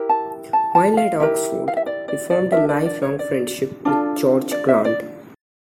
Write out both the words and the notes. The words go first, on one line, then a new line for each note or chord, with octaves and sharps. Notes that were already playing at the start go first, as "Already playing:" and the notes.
While at Oxford, he formed a lifelong friendship with George Grant.
Already playing: E4 G4 A#4
A5
A5
A5
F5
E4 G4 A#4 E5
F5
E5
D5
D5
D5
D4 F4 A#4 E5
D5
D5
C#5
D5
D4 F4 A4 D5
D5
E5
D5